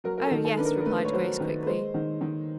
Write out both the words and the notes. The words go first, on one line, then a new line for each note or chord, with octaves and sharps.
"Oh, yes," replied Grace quickly.
F#3 A#4
A#4
A4
D#3
A4
D4 B4
A#4
A#4
A3 B4
C#5
F#3 C5
D#3 B4
B4
G#3 C5
D#3
D#3